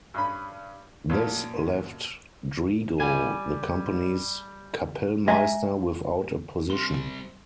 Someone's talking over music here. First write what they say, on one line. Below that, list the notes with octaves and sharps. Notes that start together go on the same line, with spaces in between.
This left Drigo, the company's kapellmeister, without a position.
G2 C#4 B5
F#2 A#2 F3 C#4
G3 G#5
G#3 E5 G#5 A#5
G3 C4 C6